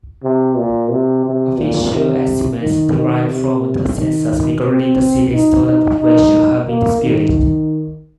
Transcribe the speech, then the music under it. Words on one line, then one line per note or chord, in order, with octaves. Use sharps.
Official estimates derived from the census regarding the city's total population have been disputed.
C3
A#2
C3
C3
A#2
C3
D#3
D#3
C3
D#3
C4
D#4
D#4
D#4
A#3
D#3